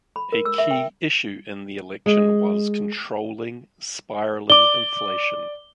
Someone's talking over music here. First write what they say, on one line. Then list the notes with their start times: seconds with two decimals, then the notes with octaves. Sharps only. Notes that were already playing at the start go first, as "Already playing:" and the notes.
A key issue in the election was controlling spiralling inflation.
0.16 B5
0.32 A#4
0.45 E6
0.58 E5
0.71 G5
2.06 G#3
4.50 D5 D6 G7